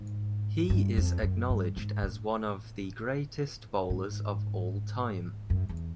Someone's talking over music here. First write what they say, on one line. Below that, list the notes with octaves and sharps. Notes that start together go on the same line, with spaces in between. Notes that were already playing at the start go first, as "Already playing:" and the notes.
He is acknowledged as one of the greatest bowlers of all time.
Already playing: G#2
G2
F2
F#2
G2
G#2
A2
G#2
F#2
E2